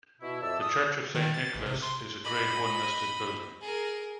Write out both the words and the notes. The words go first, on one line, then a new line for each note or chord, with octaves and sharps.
The church of Saint Nicholas is a Grade One listed building.
B2 E4
F2 D5 E5 A5 E6
D#6
D#3
A6
A1
C3
C6
D#5 B5
G#4 A#4